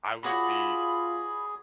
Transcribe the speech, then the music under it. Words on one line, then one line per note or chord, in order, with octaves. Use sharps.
I would be
F4 F#4 G#4 C#5 D5 B5